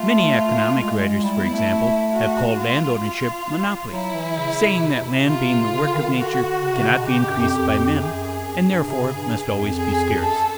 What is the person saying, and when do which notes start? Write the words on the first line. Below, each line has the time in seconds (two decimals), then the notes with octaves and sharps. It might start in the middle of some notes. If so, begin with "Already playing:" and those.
Many economic writers, for example, have called landownership monopoly, saying that land being the work of nature cannot be increased by men, and therefore must always be scarce.
Already playing: A3 F4
0.70 A3
0.78 G#3
1.22 G3 E4
1.38 B3
1.53 A3
2.13 F#4
2.58 F4
2.72 G3
3.03 F4
3.92 F#3 E4
4.14 E3
4.37 C#3
4.75 B2
4.82 C3
4.98 B2
5.12 C3
5.27 F4
5.71 C#3
5.83 D3
5.94 D#3
6.05 D3
6.17 F#4
6.62 C#3
6.73 C3
6.84 C#3
6.96 B2
7.06 C#3 G4
7.18 B2
7.29 F#2
7.40 F2
7.52 F2
7.96 F#2 G#4
8.64 G2
8.86 C3 G#4
9.01 C#3
9.16 G2
9.46 F#2
9.62 F2
9.76 G#4
10.21 F#2 A4